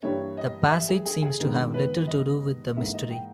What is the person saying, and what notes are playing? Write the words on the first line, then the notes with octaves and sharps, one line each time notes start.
The passage seems to have little to do with the mystery.
G2 E3 G3 A#3 C#5
D#5
E5
G#4
G#4
G#4
G2 D#3 G#3 B3 A#4
B4
D#5
G#2 E3 A#3 E5
D#5
G5